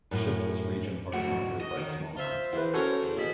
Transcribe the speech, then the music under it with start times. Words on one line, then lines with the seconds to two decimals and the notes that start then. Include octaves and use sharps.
Shift this region horizontally by a small amount.
0.11 F#2 A2
1.13 D#2 A3 F#4
1.27 B1 G#2
1.60 D#5
1.77 D#3
2.17 F4 C5 E5
2.53 E2 E4 B4
2.74 C#4 F#4 A4 A#4 C#5
3.03 E2
3.17 A1 B2 G#4 B5